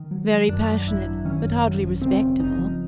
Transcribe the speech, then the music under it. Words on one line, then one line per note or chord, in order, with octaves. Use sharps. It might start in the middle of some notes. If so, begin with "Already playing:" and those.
'Very passionate, but hardly respectable.
Already playing: D#3
F#3
F#3
F#2 D4
F#3
G#1 E4
F#3
D#3 C#4
F#2
F#3
G#1
C#3 C4
C#3
G1 D#4
F3